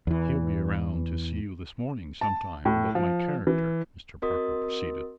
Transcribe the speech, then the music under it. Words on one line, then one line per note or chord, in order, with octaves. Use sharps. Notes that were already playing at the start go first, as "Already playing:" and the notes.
"He'll be round to see you this morning, sometime, about my character," Mr. Parker proceeded.
E2 E3
A5
A2
F3
E3
C4 F#4 A#4 D#5 C6 D#6